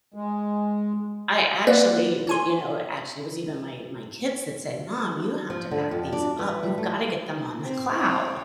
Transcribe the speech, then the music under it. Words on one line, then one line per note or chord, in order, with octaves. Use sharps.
I actually, w you know, actually, it was even my my kids that said, "Mom, you have to back these up. You've gotta get them on the cloud."
G#3
A#3 B3 B4 D5
C#5 G#5 C6
F3
D3
F2
D4
E3
G3
A3
C4
C4 C#5